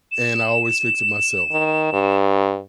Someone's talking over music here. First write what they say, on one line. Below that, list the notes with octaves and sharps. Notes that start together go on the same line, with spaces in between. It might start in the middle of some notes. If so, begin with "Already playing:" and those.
and I always fix it myself.
E7
D#3
G2